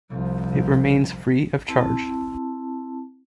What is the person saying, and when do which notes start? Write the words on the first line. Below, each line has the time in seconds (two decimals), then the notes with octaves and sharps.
It remains free of charge.
0.10 C2 F3
1.69 C4 E4 A5